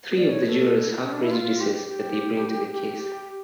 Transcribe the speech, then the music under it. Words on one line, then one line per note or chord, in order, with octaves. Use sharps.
Three of the jurors have prejudices that they bring to the case.
D5
C#5
C#5
A4
C#4
D4
E4
F4
G4
G4
G4
G4